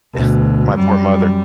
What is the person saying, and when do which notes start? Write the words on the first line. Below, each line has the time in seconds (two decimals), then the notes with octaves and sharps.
if my poor mother
0.14 D2 B2
0.74 F#2 G3